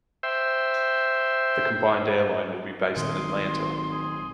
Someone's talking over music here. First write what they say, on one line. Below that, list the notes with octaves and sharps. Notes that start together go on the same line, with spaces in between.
The combined airline will be based in Atlanta.
C5 E5 G5
G#1 A#2 D#3 F#3 G#4 C6
G#4